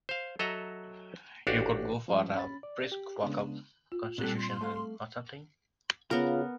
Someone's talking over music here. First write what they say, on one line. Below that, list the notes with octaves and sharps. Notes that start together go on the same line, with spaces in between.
You could go for a brisk walk up Constitution Hill or something.
C5 F5
F#3 A4 D#5 E5 F#5 A#5
A1 D4 F#4 G4 F5 F#5
F3 G3 G#3 C#4
C#4 B5 A6
D5
G4
C#3 G#3 B3 D4
F4
A#2 G3 C4 G4 A4 F#6
C6
A3 F5
C#3 B3 F4 A#4